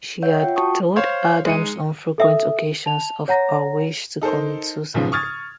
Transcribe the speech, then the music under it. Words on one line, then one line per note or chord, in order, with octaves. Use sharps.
She had told Adams on frequent occasions of her wish to commit suicide.
C#5 E5 F#5 G6
F4 F#5 G5
F#4 A5 C#6 D#6
C5 C#5 F5
G#3 D#4 C#7 D#7
A4 E5 D#6
A5 F7
C#5 F#5 A#5 A#6
D#4 A4 A#4 C5
B1 G#2 C#3 F3 B3
C#6 D#6 F6 G#6 A6